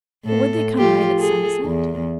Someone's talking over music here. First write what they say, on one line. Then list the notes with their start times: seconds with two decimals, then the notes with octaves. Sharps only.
'But would they come right at sunset?'
0.25 A2 A4
0.78 F3 F4 G4
1.17 G#4 A4
1.65 E2